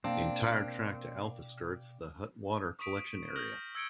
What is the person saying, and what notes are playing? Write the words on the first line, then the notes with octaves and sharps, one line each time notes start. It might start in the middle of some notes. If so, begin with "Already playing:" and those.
The entire track to Alpha skirts the Hutt Water Collection Area.
B2 A#3 C4 D4 F5 G5
C#6 D#6 B6 D7
C#6 D#6 F6 G6 A#6 F#7
E6 G#6 C#7 D7 G7